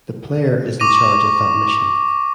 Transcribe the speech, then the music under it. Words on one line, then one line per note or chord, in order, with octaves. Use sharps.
The player is in charge of that mission.
C#6 D6 A#6 D#7